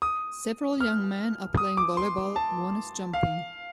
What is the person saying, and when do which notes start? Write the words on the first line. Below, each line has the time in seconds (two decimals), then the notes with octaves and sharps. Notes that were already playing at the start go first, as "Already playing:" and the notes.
Several young men are playing volleyball one is jumping.
0.02 D#6
0.80 F6
1.57 D#6
1.77 D6
1.97 C6
2.36 A5
3.13 F5